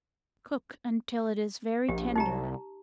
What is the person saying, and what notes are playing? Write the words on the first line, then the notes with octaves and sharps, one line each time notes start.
Cook until it is very tender.
A#1 G4
C2 D#4 G4 A#5